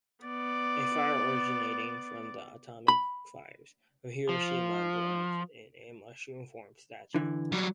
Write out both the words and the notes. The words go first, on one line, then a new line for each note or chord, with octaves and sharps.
A fire originating from the atomic fires of Hiroshima burns in a mushroom-formed statue.
B3 D5
B5
F3
D3 E3
F#3 G3